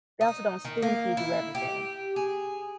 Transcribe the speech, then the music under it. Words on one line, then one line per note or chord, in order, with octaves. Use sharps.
they also don't spoon feed you everything.
D#4
D#3
A#3
E4
G4
G#4